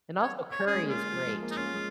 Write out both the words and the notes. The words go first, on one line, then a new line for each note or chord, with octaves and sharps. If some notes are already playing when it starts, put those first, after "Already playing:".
and also, curry is great.
C#5
C#5
C#4 G#4
G#3
A#3
F4
F3
G#3
A#3
D#4
C#4 F4
A#3
G#3